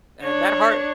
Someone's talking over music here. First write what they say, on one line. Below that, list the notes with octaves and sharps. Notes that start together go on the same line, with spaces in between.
And that hard
D4 C#5